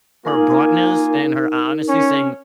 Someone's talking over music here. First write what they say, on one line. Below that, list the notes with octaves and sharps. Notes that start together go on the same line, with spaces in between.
her bluntness and her honesty saying,
A#3 D#4 F4 A#4 G#5
C#4